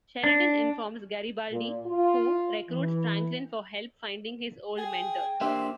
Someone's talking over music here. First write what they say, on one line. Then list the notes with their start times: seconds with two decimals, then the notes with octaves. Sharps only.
Sheridan informs Garibaldi who recruits Franklin for help finding his old mentor.
0.24 D4
1.49 A#2
1.85 F4
2.69 E3
4.78 G#4 G5
5.41 A#3 D4 G4 C5 E5